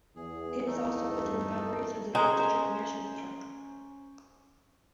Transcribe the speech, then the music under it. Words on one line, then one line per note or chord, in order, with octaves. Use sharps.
It is also within the boundaries of the Lake District National Park.
E2 G#4
A3 D#4 A4
G2
G#3 C#4 C5 A#5